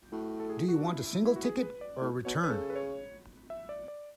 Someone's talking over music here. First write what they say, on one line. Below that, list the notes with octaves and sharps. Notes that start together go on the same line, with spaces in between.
Do you want a single ticket, or a return?
A2 F#4
A4
G#4
F#4
D4
E4
E4
E4
F#4
G#4
B4
D5
A2
B2 C#5
B4
C#3 A4
B4
C#5
E5
D5
D5